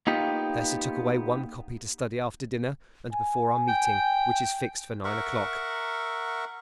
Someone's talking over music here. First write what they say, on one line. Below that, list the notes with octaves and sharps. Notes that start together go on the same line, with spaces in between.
The Professor took away one copy to study after dinner, and before our meeting, which is fixed for nine o'clock.
A#3 B3 D#4 F4 G4
G#5
G5
A#4 E5 F#5 C#6